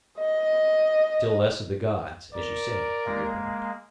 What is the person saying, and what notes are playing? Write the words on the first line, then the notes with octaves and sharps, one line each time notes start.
Still less of the gods, as you say, he replied.
D#5
A#4 D5
G#3 A#3